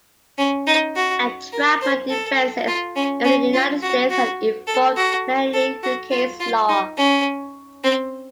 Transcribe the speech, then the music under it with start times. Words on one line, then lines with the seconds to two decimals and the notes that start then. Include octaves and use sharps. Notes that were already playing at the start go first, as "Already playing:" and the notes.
Entrapment defences in the United States have evolved mainly through case law.
0.38 C#4
0.67 D#4
0.95 F#4
1.52 A#4
1.81 C5
2.09 A4
2.67 F4
2.95 C#4
3.24 C#4
3.54 F4
3.82 F#4
4.10 F#4
4.67 A4
4.96 F#4
5.54 A4
5.83 F#4
6.11 F4
6.40 F4
6.69 D#4
6.97 C#4
7.84 C4